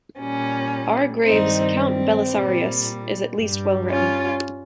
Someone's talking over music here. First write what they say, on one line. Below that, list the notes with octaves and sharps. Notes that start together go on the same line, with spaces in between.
R. Graves's "Count Belisarius"... is at least well-written.
A#2 G3 C#4
G2 D#3 G3 C4 D#4
C4
A#2 G3
G2 G3
C#4 F4